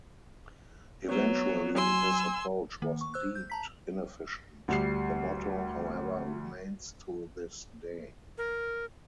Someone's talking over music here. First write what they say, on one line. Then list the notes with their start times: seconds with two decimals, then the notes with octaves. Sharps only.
Eventually this approach was deemed inefficient; the motto, however, remains to this day.
1.08 F#3 B3 C#5
1.76 F#3 G#5 C6 E6
2.82 D#3 A#3
3.01 C#6
3.14 C5 E6 F#6
3.35 G6
3.50 A5 A#5 B6
4.68 D2 G3 C7
8.38 A#4